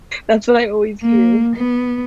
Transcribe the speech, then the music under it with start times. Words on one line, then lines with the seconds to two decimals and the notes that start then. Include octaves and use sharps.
That's what I always hear.
1.02 A#3
1.56 B3